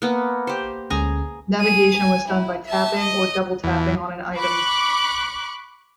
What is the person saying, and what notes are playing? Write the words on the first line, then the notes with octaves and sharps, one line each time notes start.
Navigation was done by tapping or double tapping on an item.
A#3 B3
G4 C5
D2 G#3 C#4 G#4 G#5 A#5
G#4 D#7
G#5
E4
E5 A5
D#5
E2
B5 C#6 D6 F#6